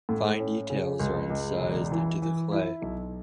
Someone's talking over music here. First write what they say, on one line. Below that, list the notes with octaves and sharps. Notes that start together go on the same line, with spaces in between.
Fine details are incised into the clay.
A2
C#4
C#3
C#2
C#2
E1
E3
E3
E4
B1